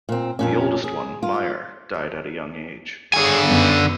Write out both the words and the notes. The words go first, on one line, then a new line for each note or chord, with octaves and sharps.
The oldest one, Maier, died at a young age.
A#2 C4
F2 A#2 C#4
G#4
F4
D3 G#4 C#5 G#5
F#2 D#3 B3